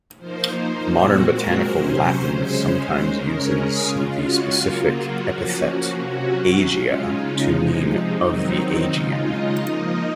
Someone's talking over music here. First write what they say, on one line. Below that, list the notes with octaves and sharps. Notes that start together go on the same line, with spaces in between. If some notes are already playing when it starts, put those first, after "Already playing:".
Modern botanical Latin sometimes uses the specific epithet "aegea" to mean "of the Aegean".
F3 A#3 D#4 C5
A#2 G#3 C4 F#4
A#4
C3 F#3 C#4 C5
C5
C#3 G#3 C#4
C#3 G#3 C#4 A#4
G#4
C#3 G#3 C#4 F4
F#4
C#3 F#3 A#3 F4
F#4
F3 A#3 C#4
C3 F#3 C#4
C#3 G#3 C#4 F4
D#4
C3 F3 G#3 D#4
D#3 F#3 C4 D#4
C#3 G#3 D#4 F4
D#5
F3 A#3 D#4 D#5